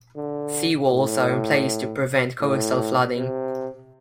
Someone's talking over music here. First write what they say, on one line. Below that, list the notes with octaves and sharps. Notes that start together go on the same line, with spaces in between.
Sea walls are in place to prevent coastal flooding.
D3
A2
A2
C3